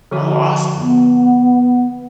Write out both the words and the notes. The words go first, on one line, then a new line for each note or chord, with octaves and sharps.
Oh, awesome.
D3 F3 F#4
B3